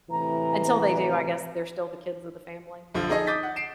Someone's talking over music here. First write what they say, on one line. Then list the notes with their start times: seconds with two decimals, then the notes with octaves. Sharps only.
until they do, I guess they're still the kids of the family.
0.11 A2 C3 E3 A#5
2.94 B1 D3 F3
3.09 D#4 G#4 A4 D#5
3.27 D6 D#6 G6 A6 B6
3.43 F#5
3.56 C7 D7 E7